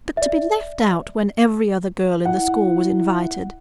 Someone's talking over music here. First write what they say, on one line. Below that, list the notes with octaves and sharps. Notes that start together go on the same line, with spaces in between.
But to be left out when every other girl in the school was invited!
D5 E5
E4 F#5